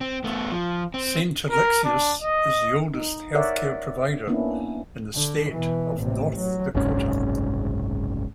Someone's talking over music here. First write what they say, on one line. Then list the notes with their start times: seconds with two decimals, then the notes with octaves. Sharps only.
Saint Alexius is the oldest healthcare provider in the state of North Dakota.
0.01 C4
0.24 A3 B3
0.52 F3
0.94 C4
1.50 A#4
1.84 D4
2.22 D#5
2.94 D#4
3.35 A#4 C#5 D5 E5 F#5
4.27 A#3 B3 C#4 D4 E4
5.15 D3
5.50 B2 E3
5.97 A1 C3
6.38 F#3
6.75 F#1 C2 G#2 C#4